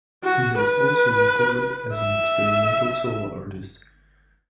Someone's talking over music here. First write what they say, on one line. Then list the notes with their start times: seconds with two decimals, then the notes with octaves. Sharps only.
He has also recorded as an experimental solo artist.
0.24 F#4
0.58 B4
1.94 E5